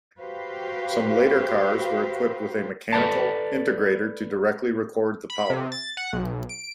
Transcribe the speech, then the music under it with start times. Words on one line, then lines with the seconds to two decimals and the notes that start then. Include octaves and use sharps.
Some later cars were equipped with a mechanical integrator to directly record the power.
0.20 F#4 G4 B4 C5 F5
2.93 A4 B4 D5 A5
5.30 B5
5.50 C3
5.72 A6
5.97 F#5
6.13 B1
6.49 D7